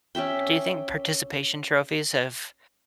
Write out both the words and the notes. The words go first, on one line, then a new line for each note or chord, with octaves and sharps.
Do you think participation trophies have
C#4 G4 E5 G5